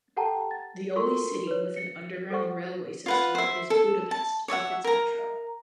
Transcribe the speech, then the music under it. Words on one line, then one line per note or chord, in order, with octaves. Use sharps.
The only city with an underground railway system is Budapest with its Metro.
G4 A4 F#5 G5 A5 A#5
A6
F4 F#4 A4 A#4 C6 C#6
B4 C#5
C#7
A4 C5 F#5 C#6
F4 B4 F#5
C5 E5
A4
A5
C#5 D5 E5 F#5
A#4 A#5